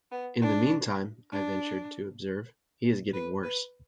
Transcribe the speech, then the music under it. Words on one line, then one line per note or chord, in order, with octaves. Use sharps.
"In the meantime," I ventured to observe, "he is getting worse."
B3
D4
D4
B4
B4